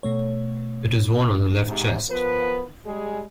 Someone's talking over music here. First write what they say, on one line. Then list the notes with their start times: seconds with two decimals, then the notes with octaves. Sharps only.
It is worn on the left chest.
0.03 B2 A3 C#5
1.66 G#2 C3
2.09 F3 B3 A#4 B4
2.84 G3 G#3 G#4